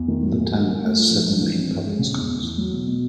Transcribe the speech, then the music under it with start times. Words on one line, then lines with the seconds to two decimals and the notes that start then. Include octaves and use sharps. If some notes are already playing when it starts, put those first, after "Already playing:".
The town has seven main public schools.
Already playing: E2
0.08 D#3
0.23 F#3
0.38 A#2
0.52 A#2
0.67 A#3
0.81 A3
0.96 F4
1.11 F3
1.26 D4
1.41 E3
1.55 C4
1.70 G2
1.84 G#3
1.99 C#3
2.14 E2
2.28 E2
2.43 E3
2.58 F#3
2.72 B2
2.87 B2